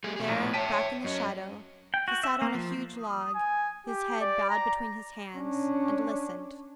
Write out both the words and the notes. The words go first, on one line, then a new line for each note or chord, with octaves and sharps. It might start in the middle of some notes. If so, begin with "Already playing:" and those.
There, back in the shadow, he sat on a huge log, his head bowed between his hands, and listened.
G3 A3 G4 G#4
B2 G#4
A#1 A2 A#5
C#5 E5 G5 A5 B6 D#7
C#5
F#2 C#4 D#5
G5
F#4
E5
A#3
F3
D#6
G#5
G4
D5
A#5
C#4 D4